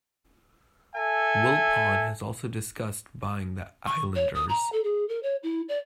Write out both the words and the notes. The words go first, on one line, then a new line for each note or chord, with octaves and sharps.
Wilpon has also discussed buying the Islanders.
A4 E5 G#5
C#6
C#5
D#6
A#5
A4
G#4
A#4
C#5
E4
D5